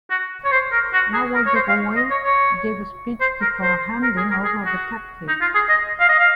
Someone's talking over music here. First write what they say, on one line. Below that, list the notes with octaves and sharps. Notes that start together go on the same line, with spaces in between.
Lawoughqua gave a speech before handing over the captives.
F#4
C#5
C5
A#4
F#4
G#4
A#4
C#5
C5
F5
D#5
C#5
C#5
C5
A#4
C5
A#4
G#4
A#4
G#4
F#4
D#4
F4
G#4
D#5
F5
D#5
F5